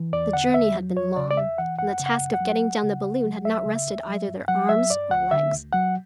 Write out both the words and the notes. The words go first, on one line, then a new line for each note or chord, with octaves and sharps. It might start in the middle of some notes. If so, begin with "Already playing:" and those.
The journey had been long, and the task of getting down the balloon had not rested either their arms or legs.
Already playing: E3
E2 D5
D3 F#5
E2 E5
F#3
E2 C#5
C#3 D5
D5
E2 E5
E3 F#5
F#2 F#5
C#3
F#5
F#2
F#5
F#3
C#2
C#3
C#2
F#3
D2 E5
C#3
D2
F#3
G2
F#3 F#5
F#3 E5
G2 D5
D2 F#5
D3 E5
D2
F#3 F#5